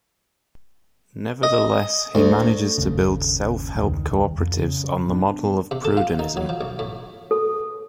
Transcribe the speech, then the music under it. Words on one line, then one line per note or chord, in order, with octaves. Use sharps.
Nevertheless he manages to build self-help cooperatives on the model of Proudhonism.
D#5
D2
G1 D#2 C#3
E1 C#2 D#3
F2
C#3
G2 B3 D4
C3
A4
F4
D#4
F#3
F3
B1
A2
A4